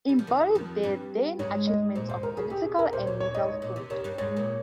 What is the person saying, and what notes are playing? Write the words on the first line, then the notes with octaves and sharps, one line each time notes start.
Embodied the then achievements of political and legal thought.
G3
F3
D#2 D#3
F2 F3
G2 G3
G#2 G#3 C#5
D#5
A#2 A#3 C5
G#2 G#3 C5
D#2 D#3 A#4
C#3 G#4
C3 G4
G#4
C3 A#4
A#2 C5
A#2 C#5
C#5
G#2 D#5
C#5
A#2
C3
D#2 D#3 C#5
G2 G3
G#2 G#3 C#5
A#2 A#3